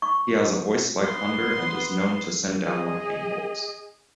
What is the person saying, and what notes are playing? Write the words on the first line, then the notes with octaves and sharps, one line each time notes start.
He has a voice like thunder and is known to send down lightning bolts.
C#6
B3 C6
G#4 D#5